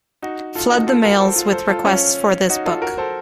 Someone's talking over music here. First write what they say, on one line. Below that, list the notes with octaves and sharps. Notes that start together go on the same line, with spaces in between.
Flood the mails with requests for this book.
D#4 F#4
F4 A4
D#4 F#4
F4 A4
F#4 A#4
A4 C5
F4 A4
A4 C5
F4 A4
C#4 F4
D#4 F#4
F4 A4
F#4 A#4
A4 C5